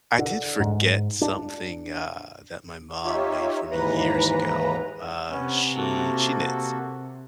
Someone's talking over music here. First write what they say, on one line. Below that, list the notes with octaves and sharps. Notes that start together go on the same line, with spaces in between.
I did forget something, uh, that my mom made for me years ago, uh, she she knits,
D3
G#2
D4
D#4 F4 G4 C#5 E5
D#2 G#2 E3 B4 A#5
C3 B3 C#4
A#3 F#4 A4